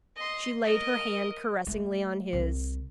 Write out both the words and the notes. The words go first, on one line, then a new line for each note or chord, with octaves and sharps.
She laid her hand caressingly on his.
D#5 C6
A#4 D#5
A3
C2